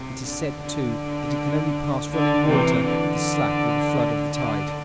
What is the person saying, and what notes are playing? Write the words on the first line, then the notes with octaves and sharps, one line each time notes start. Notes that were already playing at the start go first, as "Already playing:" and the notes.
It is said, too, that he can only pass running water at the slack or the flood of the tide.
Already playing: C3
D3
D3
D3
C3 E3
D3
D3